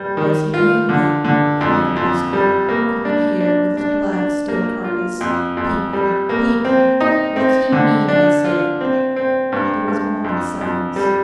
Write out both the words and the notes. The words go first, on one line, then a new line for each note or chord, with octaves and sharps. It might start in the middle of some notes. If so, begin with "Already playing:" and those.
'What's he mean, then,' he muttered huskily, 'coming here with his black, still carcase--peeping, peeping--what's he mean, I say?' There was a moment's silence.
Already playing: G3
D#3
F4
D3
D3
F2
F2
G3
A#3
D4
D4
D4
D4
A#3
F4
F2
F2
G3
A#3
C4
D#4
C4
D3
D4
F4
C4
C4
G2
G2
F2
F2
G3